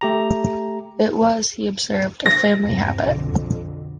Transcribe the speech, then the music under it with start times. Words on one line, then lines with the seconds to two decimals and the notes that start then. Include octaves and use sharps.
It was, he observed, a family habit.
0.01 A3 G4 A#5
2.26 A#6
2.61 E2 G2 C3
3.03 B1 F2 D3